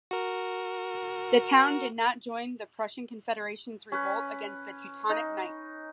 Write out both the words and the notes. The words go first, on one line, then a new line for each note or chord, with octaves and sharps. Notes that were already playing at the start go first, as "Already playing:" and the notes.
The town did not join the Prussian Confederation's revolt against the Teutonic Knights.
F#4 A#4
C#4 B4
D#4